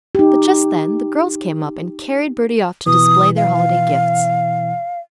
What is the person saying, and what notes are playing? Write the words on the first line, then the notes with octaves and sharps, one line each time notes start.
But just then the girls came up and carried Bertie off to display their holiday gifts.
D#4 G4
B2 E3 D#6
F5